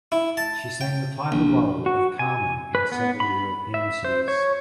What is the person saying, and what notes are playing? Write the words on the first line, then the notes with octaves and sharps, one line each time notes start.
She sang the title role of "Carmen" in several European cities.
E4
A5
G5
A#1
F#4
G#5
B4
B3
B5
E5
C5
C#5